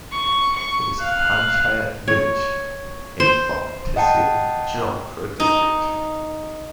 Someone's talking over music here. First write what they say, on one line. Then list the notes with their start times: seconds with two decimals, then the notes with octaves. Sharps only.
It is a panchayat village in Bap tehsil of Jodhpur District.
0.12 C#6
0.55 C#6
1.01 F5 F#6
2.08 C#5
3.20 C5
3.96 D#5 F#5 G5 A5
5.40 D#4